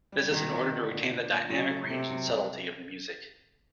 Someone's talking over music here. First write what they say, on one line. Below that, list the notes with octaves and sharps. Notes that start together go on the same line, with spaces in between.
This is in order to retain the dynamic range and subtlety of the music.
G3
C2 D#3
C4
A#2 D3
A#2
A#2
A#2
C#3 F#3
A3
C3 A3
F#3
C2